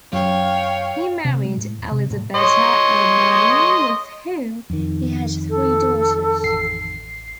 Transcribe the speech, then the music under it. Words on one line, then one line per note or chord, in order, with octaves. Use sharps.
He married Elisabetta Ermanni with whom he had three daughters.
F#2 C#5 F5 G5
C3
G#3
A2
E1
C3
A2
C#5 D#5 C6
F2 D#3
A4
A1 C7